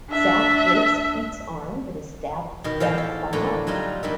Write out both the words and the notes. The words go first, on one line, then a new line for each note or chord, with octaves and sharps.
Zack breaks Pete's arm but is stabbed to death by Marc.
D4 E5
B2 D#3
E2 A2 F3 F5 G5 A5
A4
A2 D3 A3 A#3
F#3 G3 D#4 F4
G2 D#3 A#3 E5